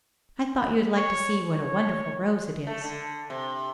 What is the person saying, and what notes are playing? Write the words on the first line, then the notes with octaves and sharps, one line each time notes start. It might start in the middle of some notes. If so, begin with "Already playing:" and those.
I thought you would like to see what a wonderful rose it is.
C#5
C#5
A3
D3
C3